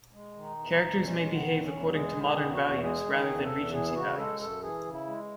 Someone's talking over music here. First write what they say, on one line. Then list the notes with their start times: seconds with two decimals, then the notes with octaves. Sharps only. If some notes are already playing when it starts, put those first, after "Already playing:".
Characters may behave according to modern values, rather than Regency values.
0.13 G#3
0.35 D#3
0.43 D#4
0.58 E2
0.73 D#4
0.80 E2
1.03 G#3 C#4
1.26 D#3
1.33 B3
1.48 E2
1.63 C#4
1.71 E2
1.93 G#3 G#4
2.15 D#3
2.23 G#4
2.38 E2
2.53 F#4
2.60 E2
2.83 G#3 G#4
3.05 D#3
3.13 G#4
3.28 E2
3.42 A4
3.51 E2
3.73 E3 G#4
3.95 C#3 F#4
4.17 G#3 A4
4.40 F#2 A4
4.62 E3 G#4
4.85 C#3
4.92 E4
5.08 G#3